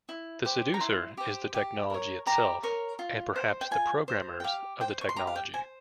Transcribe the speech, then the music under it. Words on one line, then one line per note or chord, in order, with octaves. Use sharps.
The 'seducer' is the technology itself, and perhaps the programmers of the technology.
E4
G4 C5
A#5
E4 C6
G4 C5
G4
A#4 C#5
G4 A#5
A#4 C#5
F4
C5
G5
F4 G#5
C5
G5
G4 F5
C5 G5
C#6
C6
G4 A#5
F5
G5
C5 G#5